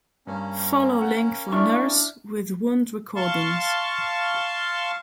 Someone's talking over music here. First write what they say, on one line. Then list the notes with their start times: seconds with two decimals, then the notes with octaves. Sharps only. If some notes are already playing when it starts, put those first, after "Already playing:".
Follow link for Nurse with Wound recordings.
0.27 G2 A#3 C#4
1.02 F#5
1.52 D4 E4 C#6 F6
3.16 F5 A5 C6 C#6